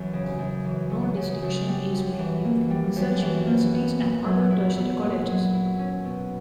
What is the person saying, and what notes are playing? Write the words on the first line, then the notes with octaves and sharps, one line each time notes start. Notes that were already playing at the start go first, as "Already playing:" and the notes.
No distinction is made between research universities and other tertiary colleges.
Already playing: F#2 E3
C#3
F#2
E3
F#2
C#3
F#2
G3
F#2
E3
A#3
G3
F#2
E3
A#3
B3
A#2
F#3
E4
B3
A#2
F#3
E4
C#4
B2